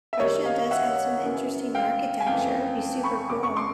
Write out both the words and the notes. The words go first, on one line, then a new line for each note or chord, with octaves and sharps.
Russia does have some interesting architecture, it'd be super cool.
E5
F#2 D#3 G3 A#3 C#5 D#5
D#5 F5
E5 F#5
F#2 C#3 E3
F5 G5
G#5
F2 C#3 E3 A3 F5 G5
B5 C#6
F#1 F2 C#3 D6
C#6
C6 D6